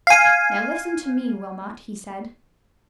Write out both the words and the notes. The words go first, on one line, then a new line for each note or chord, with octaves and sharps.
"Now, listen to me, Wilmot," he said.
F5 G#5